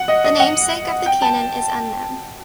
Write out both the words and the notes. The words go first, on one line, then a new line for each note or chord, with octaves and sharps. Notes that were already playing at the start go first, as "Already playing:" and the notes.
The namesake of the cannon is unknown.
Already playing: F#5
D#5
D#5
F#5
G5
A5